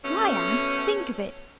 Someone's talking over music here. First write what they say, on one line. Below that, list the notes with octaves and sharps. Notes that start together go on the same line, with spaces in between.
Why, Anne, think of it!
B2 A3 B3 C#4